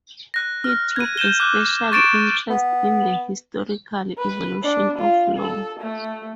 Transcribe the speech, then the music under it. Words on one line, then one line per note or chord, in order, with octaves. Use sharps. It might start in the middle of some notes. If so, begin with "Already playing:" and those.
He took a special interest in the historical evolution of law.
F#6 A#6
F6
G#6 D#7
G6 D#7 E7 G7
D6 F#6
C#6 A6 D7 E7
B3
B4
D4
F4
A4
A3